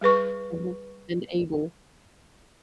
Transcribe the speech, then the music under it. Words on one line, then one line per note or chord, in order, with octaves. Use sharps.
Mhm, and able.
G3 G#4 B4 C#6